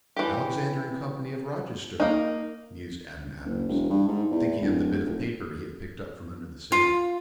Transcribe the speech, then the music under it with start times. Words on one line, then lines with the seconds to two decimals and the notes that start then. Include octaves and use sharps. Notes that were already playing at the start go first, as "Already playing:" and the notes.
"Alexander & Company, of Rochester," mused Adam Adams, thinking of the bit of paper he had picked up from under the safe.
0.16 E3 G4
2.00 A#3 D#4
3.45 F#1
3.68 E1
3.90 G2
4.08 G#2
4.31 E2
4.62 D1
5.05 F1
6.72 F4